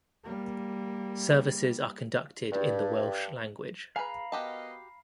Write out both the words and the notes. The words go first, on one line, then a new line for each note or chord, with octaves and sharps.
Services are conducted in the Welsh language.
G3 A#3
G2
G#4 B4 F5 A#5 B5
B3 F#4 G4 A#4 D#5 A5